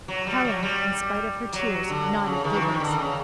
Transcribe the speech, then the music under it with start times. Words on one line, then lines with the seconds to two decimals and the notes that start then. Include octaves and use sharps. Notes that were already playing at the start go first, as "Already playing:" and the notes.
Helen, in spite of her tears, nodded vigorously.
0.08 F#3
0.27 G3
0.45 F#3
0.63 G3
1.53 F#3
1.89 D3
2.26 C#3
2.44 D#3
2.54 E3
2.62 D#3
2.80 D3
2.98 C#3